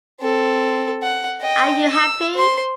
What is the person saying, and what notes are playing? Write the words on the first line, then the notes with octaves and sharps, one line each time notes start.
Are You Happy?
C4 A4
F#5
D#5 G5
E6
C5 C6